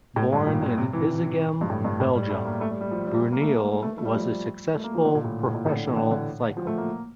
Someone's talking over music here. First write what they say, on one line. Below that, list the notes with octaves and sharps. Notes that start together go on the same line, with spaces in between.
Born in Izegem, Belgium, Bruyneel was a successful professional cyclist.
A2
G2
A#2
A#2
C3
E3
G2
A2
G2
A2
G3
A3
A#3
A3
G3
G3
F3
G3
G3
A#3
A3
A3
A3
G3
F3
G3
A3
A#3
F3
D3
A#2
A2
A2
A#2
A2
D3
E3
D3
D3
F3
A3
A#3